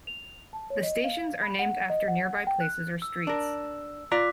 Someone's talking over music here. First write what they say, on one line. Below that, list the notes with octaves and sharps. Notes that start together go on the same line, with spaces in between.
The stations are named after nearby places or streets.
F7
A5
C#5
D#5
F5
B5
F#5
D#5
F#5
G5
F#6
E6
D4 A#4
F4 D5 A#5 D6 F#6 B6